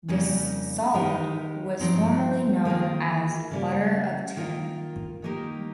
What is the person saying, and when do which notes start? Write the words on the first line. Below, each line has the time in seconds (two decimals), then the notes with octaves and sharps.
This solid was formerly known as "butter of tin".
0.08 F2 C#3 G3 A#3 D#4
0.94 D#3 G#3 D#4 G4 A#4
1.80 G2 F3 C4 D#4
2.65 D#3 A#3 F4 G#4
3.51 C#3 G3 A#3
4.37 D#3 A#3 F4 A#4
5.22 D#3 A#3 D#4 G4 A#4